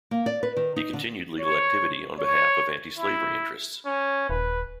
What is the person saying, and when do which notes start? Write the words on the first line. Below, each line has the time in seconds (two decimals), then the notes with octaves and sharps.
He continued legal activity on behalf of anti-slavery interests.
0.11 A#3
0.26 D5
0.43 B4
0.57 D#3
0.76 D#4
0.93 D3
1.39 C#5
2.19 C#5
2.97 E4
3.86 C#4
4.30 D#1 B4